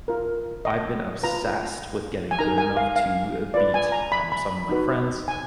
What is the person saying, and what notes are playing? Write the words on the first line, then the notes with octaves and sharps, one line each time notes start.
I've been obsessed with getting good enough to, uh, beat, um, some of my friends
F4 A#4
D#5
F4 B4 A#5
G#5
D#4 A#4 A#5
G#5
F5
F5
F4 B4 D5
G#5
A#5
B5
B5
D#4 F#4 B4
G#5